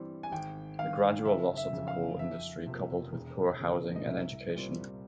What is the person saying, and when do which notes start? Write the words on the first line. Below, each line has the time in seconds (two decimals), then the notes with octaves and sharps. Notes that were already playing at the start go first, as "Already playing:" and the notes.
The gradual loss of the coal industry coupled with poor housing and education.
Already playing: G2 E3 G3 C4
0.23 G#5
0.32 G#1 G5
0.79 G2 D#3 F5
1.25 F#1 E5
1.57 E5
1.73 F2 C#3
1.88 F5
2.19 F2 E5
2.66 C3 F3 A#3
3.12 E1
3.60 E2 C#3 F3 A#3
3.96 D#5
4.07 C2 E5
4.54 A#2 G3 C4